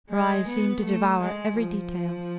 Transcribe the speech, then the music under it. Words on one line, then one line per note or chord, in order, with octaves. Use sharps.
Her eyes seemed to devour every detail.
G#3
B3
A3
G#3
F3